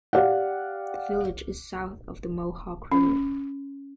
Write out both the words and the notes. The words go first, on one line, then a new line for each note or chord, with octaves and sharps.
The village is south of the Mohawk River.
G4 D5 F5 F#5
C#4